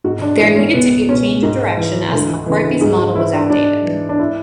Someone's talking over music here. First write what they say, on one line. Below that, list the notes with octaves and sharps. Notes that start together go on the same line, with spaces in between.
There needed to be a change of direction as the McCarthy's model was outdated.
G#2 F#4
D4
E3 E4
C#4
C#2 B3
B2 C#4
G#2
E3
D2
C#3 E3
G#2 G#4
F#4
E3 E4
D4
G#2 D4
E3
D4
E4